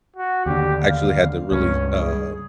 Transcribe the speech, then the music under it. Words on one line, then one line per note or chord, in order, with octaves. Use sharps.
I actually had to really, um,
F#4
D#2 D3 G4
F5
C#2 G2 C#4
G#4